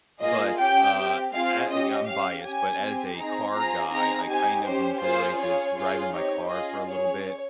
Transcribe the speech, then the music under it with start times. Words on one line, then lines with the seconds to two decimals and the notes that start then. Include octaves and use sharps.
but, uh, e I I'm biased, but as a car guy, I kind of enjoy just driving my car for a little bit,
0.21 A#3 F4 G#4 D#5
0.58 C#4 G4 G5
0.95 C4 G4
1.32 C4 F4 G#4 F5
1.68 C#4 G4 D#5
2.06 C#4 G4 F5
2.43 C#4 G4 G#5
2.79 C4 G4
3.17 C4 D#4 G#4 A#5
3.53 C4 F4 G#4 A#5
3.90 C4 D#4 G#4 A#5
4.27 C4 D#4 G4 G#5
4.64 C#4 G4 C5
5.02 A#3 F4 G#4 C5
5.38 C#4 F4 G#4 C#5
5.75 C#4 F4 G#4
6.13 C4 D#4 G4 C#5
6.50 C#4 F4 G#4 D#5
6.87 C#4 G#4 C#5